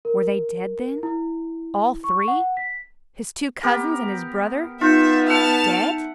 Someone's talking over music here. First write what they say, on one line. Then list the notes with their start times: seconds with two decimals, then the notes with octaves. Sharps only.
Were they dead then--all three--his two cousins and his brother--dead?
0.05 A#4
1.03 E4
2.04 C#6
2.28 F#5
2.57 B6
3.63 B3 G4 A#4
4.81 B3 D#4 F4 E5 G6 C#7
5.27 E5 F#5 A5 F6